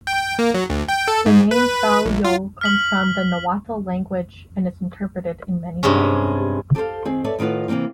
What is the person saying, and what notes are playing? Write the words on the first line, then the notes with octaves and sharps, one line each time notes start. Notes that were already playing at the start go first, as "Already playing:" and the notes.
The name Sahuayo comes from the Nahuatl language, and is interpreted in many ways.
G5
A#3
F#3
D2
G5
A4
G#2
B4
A#1
F4
F6 B6 F#7
G2 C3 G#3 C#4
G4 A4 B4 C5 F5
D#3 C4 G#4
A4 B4 C#5 D5 E5
A2 D#3 F4 B4 F#5
C3 E3 F#3 A#3 C4